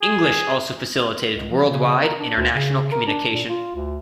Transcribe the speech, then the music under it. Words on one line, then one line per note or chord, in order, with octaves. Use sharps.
English also facilitated worldwide international communication.
G#4
C#2
F3
C#3
A#4
D4
D2
C#3
A#4
D4
A#2
F4
D2